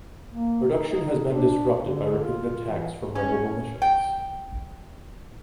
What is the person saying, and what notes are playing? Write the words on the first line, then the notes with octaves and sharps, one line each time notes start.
Production has been disrupted by repeated attacks from rebel militias.
A#3
D#4
D#4
D4
D3
F4
E3
C#4
G5